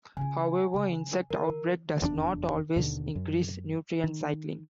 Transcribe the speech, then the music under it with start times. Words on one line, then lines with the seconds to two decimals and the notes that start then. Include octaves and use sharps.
However, insect outbreak does not always increase nutrient cycling.
0.17 C#3 F4 G#5
0.74 C#3
1.30 D3 A#4
2.02 F1 E2 G2 D4
2.76 D#2 B2 D3 D#3
3.15 F#2
4.04 D#3